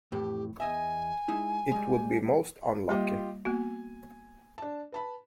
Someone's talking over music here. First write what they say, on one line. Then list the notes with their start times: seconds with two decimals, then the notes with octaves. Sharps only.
It would be most unlucky.
0.12 F2 A2 E3 G4
0.60 E2 D#5 E5 G#5
1.28 G#3 D#4 E4
1.72 G3 G#3
2.89 G3 A#3 F4 G4 D#5 D6
3.45 A#3 B3 F#4 G#5
4.58 D4 A5
4.92 B4 A5 B5